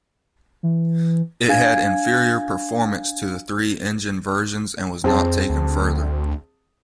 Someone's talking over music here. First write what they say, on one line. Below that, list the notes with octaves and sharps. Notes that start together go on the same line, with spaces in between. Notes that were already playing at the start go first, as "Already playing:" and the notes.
It had inferior performance to the three engined versions and was not taken further.
E3
D4 F5 G#5 G#6
F2 C4 G#4 A5
D2